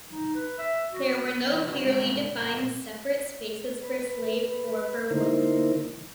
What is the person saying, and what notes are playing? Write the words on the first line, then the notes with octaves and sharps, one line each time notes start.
There were no clearly defined separate spaces for slaves or for women.
D#4
B4
E5
F#4
E3 B4 D5 D#5
C4 F#4 B4
G3 G#3 B3 C#4 A#4
A#2 G3 B3 A#4 F#5 A#5
B4
D3 A#3 D#4 E4 A#4 C5